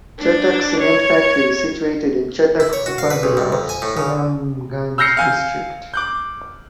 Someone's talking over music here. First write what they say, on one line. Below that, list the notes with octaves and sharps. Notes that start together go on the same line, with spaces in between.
Chhatak Cement Factory is situated in Chhatak Upazila of Sunamganj district.
D4
C#5
E4
C#5
F#4
F5
B4
B1
G2
F2
G#5
A2
C#3
E6 F6 G6 A#6 C7 C#7
F5 G#5 G6
D6 F#6 G6